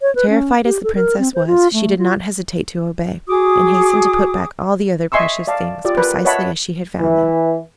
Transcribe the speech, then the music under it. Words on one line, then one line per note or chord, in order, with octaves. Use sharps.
Terrified as the Princess was, she did not hesitate to obey, and hastened to put back all the other precious things precisely as she had found them.
C#5
B4
C#4
G4
A4
A#4
C4
C5
F4
A3
F4
F#4 G#4 D6 D#6
D#5 E5 G#5 C6 C#6 E6
D5 F5 A5
F4 G4 D5
A#4 B4
C#5 D#5 E5 F#5 A5 B5
E3